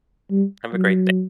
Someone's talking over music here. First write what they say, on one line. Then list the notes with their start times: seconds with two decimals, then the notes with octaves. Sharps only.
Have a great da
0.31 G3
0.73 F#3